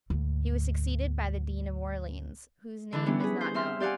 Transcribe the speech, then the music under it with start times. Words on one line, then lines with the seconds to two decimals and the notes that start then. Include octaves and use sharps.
He was succeeded by the Dean of Orleans, whose name is not known.
0.10 D2 G#2
2.92 D3 E3 D4 E4
3.06 G3 B3 C#4 D4
3.20 G#4 B4
3.41 G#4 C5
3.54 C4 E5 C6 F6
3.80 G4 D5 F5 F#5 G#5